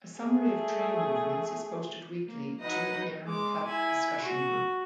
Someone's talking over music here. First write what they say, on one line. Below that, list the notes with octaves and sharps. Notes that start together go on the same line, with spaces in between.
A summary of train movements is posted weekly to the Gheringhap Discussion Group.
A3 G#4
A#3
F#3 D#4 B4 D#5 F#5
G#3 D6
E4 G#5
F#4